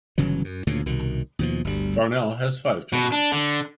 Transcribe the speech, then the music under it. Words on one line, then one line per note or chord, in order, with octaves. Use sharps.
Farnell has five children.
G1 C#3 E3 F#3
F#2
D2 A#2 C#3
C2 B2 D#3
D#2 B2 F3
G1 D2 G3
B2
D4
D3